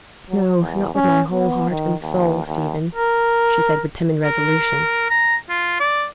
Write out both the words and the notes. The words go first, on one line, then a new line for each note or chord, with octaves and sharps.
"No, not with my whole heart and soul, Stephen," she said with timid resolution.
F#3
E2
C#4
B3
D#3
D#2
D#2
A#4
A#4
A#5
F4
D5